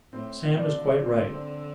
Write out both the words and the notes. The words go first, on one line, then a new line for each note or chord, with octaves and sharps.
'Sam is quite right.
A2 C4
A#2
D4
D3
D3 C4
C4